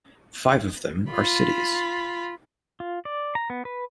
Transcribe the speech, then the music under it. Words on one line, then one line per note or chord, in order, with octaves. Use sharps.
Five of them are cities.
F4 B5
F4
D5
A#5
B3
B4